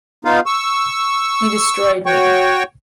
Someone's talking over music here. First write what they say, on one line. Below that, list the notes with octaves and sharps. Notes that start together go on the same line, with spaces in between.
He destroyed me.
B3 D#4 F4 F5
C#6 E6
F#4 C#5 G5 C#6